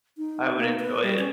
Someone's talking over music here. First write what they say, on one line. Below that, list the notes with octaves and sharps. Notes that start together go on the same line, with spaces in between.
I would enjoy it.
D#4
A#3
B4
G3
C#4